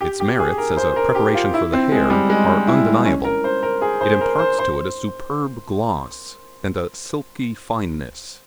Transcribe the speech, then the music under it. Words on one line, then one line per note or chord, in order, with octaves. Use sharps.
Its merits as a preparation for the hair are undeniable--it imparts to it a superb gloss and a silky fineness.
G4
G4
G#4
A#4
C5
A#4
G4
F4
E4
C4
G#3
G3
G#3
E4
C#4
A#4
C5
A#4
G#4
C5
A#4
C5
C5